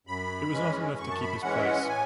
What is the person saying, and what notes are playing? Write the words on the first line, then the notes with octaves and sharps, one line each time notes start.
It was not enough to keep his place.
F#2 B5
E3 G#3 C#4
F#2 C#6
A5
B5
E3 G#3 C#4 F#5
E5
F#5
A2 G#5